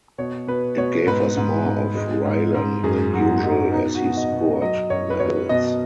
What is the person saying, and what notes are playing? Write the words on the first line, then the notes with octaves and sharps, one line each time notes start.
It gave us more of Raylan than usual as he scoured the hills.
B2 C#5
B2 B4
B2 C#5
G#2 B4
G#2
G#2
G#3
G#2
G#2
F#2 G#4
F#3 F#4
F#3 D#4
B2 D#4
F#4
B2
D#5
B2
F#3 D#5
F#2 C#5
B4
F#2 C#5
B2 D#5